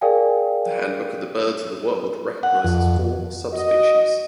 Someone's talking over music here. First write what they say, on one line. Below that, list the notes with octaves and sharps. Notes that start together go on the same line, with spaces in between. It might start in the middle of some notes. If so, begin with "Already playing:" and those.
The Handbook of the Birds of the World recognises four subspecies.
G#4 A#4 D5 F5 G5 G#5
F#5
F2
F#4 D#5